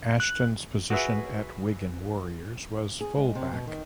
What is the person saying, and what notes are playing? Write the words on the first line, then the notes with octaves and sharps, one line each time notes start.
Ashton's position at Wigan Warriors was full-back.
F#6
F#4 G#4 B4 E5
G#4
G#3
C3
B2
D#3